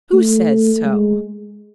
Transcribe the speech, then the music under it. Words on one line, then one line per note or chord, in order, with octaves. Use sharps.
"Who says so?"
A3
G#3